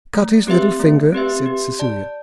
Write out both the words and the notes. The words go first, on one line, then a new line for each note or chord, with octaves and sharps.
"Cut his little finger," said Cecilia.
A3
C4 G4 B4 E5
A3
C4 G4 B4 E5
G4
D5 A5